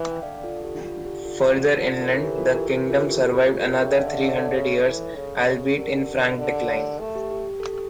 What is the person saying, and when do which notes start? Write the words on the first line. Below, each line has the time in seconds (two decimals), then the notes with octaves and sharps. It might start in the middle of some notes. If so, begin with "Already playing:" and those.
Further inland, the kingdom survived another three hundred years, albeit in frank decline.
Already playing: E3 E5
0.11 G5
0.22 D3 D5 F5
0.44 F4 A4
0.64 G4
0.84 F4
1.06 G4
1.25 F4 A4
1.46 G4
1.77 F4 A4
2.01 A#4
2.07 E3 A4 C#5
2.23 G4 A#4
2.38 F4 A4
2.53 G4 A#4
2.70 E3 G4 A#4
2.81 G4
2.90 F4 A4
3.10 G4 A#4
3.30 C#3 F4 A4
3.38 G4
3.46 F4
3.61 G4 A#4
3.77 E5 G5
3.92 D3 D5 F5
4.07 C#5 E5
4.23 C#5 E5
4.38 A4 C#5
4.55 C#3
4.85 E3
5.15 C#3
5.77 D3 G4 A#4
6.38 D3
7.00 A3
7.15 G4
7.31 G4
7.47 G4
7.60 A4
7.73 G4